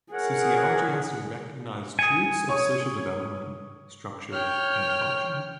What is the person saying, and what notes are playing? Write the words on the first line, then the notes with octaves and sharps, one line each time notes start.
Sociology has to recognize truths of social development, structure and function.
G#4 A#4 C#5 F#5
G#5 D#6 C#7
C#5 C#6 D#6
C#5 G5 F6